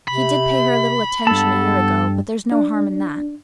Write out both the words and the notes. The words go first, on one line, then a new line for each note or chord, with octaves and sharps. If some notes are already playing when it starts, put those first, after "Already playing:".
He did pay her a little attention a year ago; but there's no harm in that.
C3 B5
G2 B3 A4 A5
D4